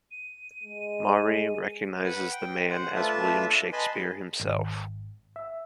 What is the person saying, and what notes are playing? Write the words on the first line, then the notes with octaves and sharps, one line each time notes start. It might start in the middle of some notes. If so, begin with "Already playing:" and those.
Maury recognizes the man as William Shakespeare himself.
D#7
G#3
B4 F#5
G5
C5 F#5
A3 D4 F4 B4 E5 A5
B4 D#5 G#5 A5 B5 C6
G#1
E5